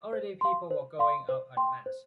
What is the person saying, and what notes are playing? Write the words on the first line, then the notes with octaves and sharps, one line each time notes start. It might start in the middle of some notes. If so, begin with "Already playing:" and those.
Already people were going out en masse.
C5
F5 C6
C5
F5 C6
C5
G5 C6
C5